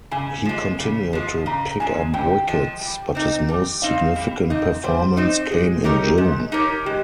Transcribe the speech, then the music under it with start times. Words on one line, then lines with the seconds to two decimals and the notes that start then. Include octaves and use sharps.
He continued to pick up wickets, but his most significant performance came in June.
0.11 C#3 G#5
0.45 F3 G#3
0.80 C#3
1.13 F3 G#3
1.46 C#3 A#5
1.80 F3 G#3 G#5
2.14 C#3 G5
2.48 F3 G#3
2.81 G3
3.15 C4 D#4
3.49 G3
3.82 C4 D#4 F5
4.16 G3
4.50 C4 D#4
4.84 G3 C5
5.17 C4 D#4
5.51 G#3 G#4
5.84 D#4 G4 A#4 C#5
6.18 G#3
6.52 D#4 G4 A#4 C#5
6.85 G#3 G4